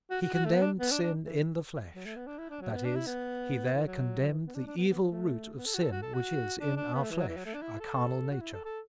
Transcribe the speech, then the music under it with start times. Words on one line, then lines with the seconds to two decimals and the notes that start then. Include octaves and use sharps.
"He condemned sin in the flesh;" that is, he there condemned the evil root of sin which is in our flesh,--our carnal nature.
0.11 F#4
0.22 F#4
0.34 F#4
0.45 A3
0.54 B3
0.62 D4
0.80 B3
0.91 D4
1.02 D4
1.26 E3
1.95 F#3
2.06 A3
2.16 B3
2.27 D4
2.38 E4
2.50 D4
2.61 F#3
2.73 B3
2.85 D4
2.96 E4
3.07 B3
3.74 E3
3.86 F#3
4.20 F#3
4.29 E3
4.47 B3
4.55 D4
4.67 D4
4.78 B3
4.89 B3
5.00 F#3
5.11 A3
5.58 B3
5.66 A4
5.74 F#4
5.82 A4
5.91 F#4
6.02 A4
6.14 F#4
6.60 D4
6.76 D4
6.94 B3
7.03 A3
7.11 E3
7.19 F#3
7.28 E3
7.37 F#3
7.46 A3
7.54 D4
7.62 E4
7.80 A4
8.30 F#4
8.41 E4
8.53 A4
8.65 A4